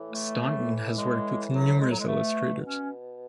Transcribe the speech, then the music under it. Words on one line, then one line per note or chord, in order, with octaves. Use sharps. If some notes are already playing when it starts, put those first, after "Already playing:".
Staunton has worked with numerous illustrators.
Already playing: A2 E3
A3
G#3
F#3
G#3
F#3
G#3
B2 A3
C#4